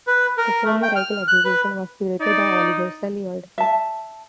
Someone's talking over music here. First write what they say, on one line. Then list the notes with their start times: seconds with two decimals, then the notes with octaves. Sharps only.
The Sonia Rykiel Exhibition was curated by Olivier Saillard.
0.07 B4
0.38 A#4
0.65 A3
0.83 G5
0.96 F6
1.28 F#6
1.45 B4
2.20 D#4 D5
3.58 E5 A5